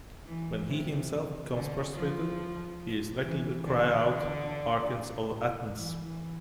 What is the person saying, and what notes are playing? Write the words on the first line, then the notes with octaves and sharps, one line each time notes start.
When he himself becomes frustrated, he is likely to cry out, Archons of Athens!
E3
C3
D3
F3
E3
D3
E3
E3